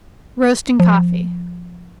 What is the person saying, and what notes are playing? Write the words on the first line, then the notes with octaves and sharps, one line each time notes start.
Roasting Coffee.
F3